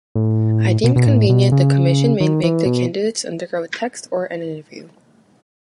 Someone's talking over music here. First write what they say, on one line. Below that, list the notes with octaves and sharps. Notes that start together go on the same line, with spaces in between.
I deemed convenient, the Commission may make the candidates undergo a text or an interview.
A2
B2
B2
A2
B2
C#3
D#3
E3
B2